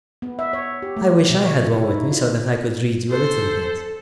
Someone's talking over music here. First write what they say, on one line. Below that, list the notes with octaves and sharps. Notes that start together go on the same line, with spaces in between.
I wish I had one with me, so that I could read you a little bit.
B3
E5
C#5
G4
A3
B2
C#5
F4
E4
D#4
F4
A4 C5